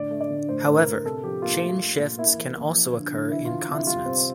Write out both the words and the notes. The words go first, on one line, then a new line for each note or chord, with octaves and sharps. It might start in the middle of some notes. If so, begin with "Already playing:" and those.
However, chain shifts can also occur in consonants.
Already playing: A2 D3 D5
A3
D5
D3
A2 C5
A2
A#4
A2
C3 A4
F3 G4
A#3 F4
A3
A3
A#2
A#3 E4
E3
A#3
F3
D3
D3
E3 E4
E3 F4
F4
C3 E4
G3 F4
C3 C4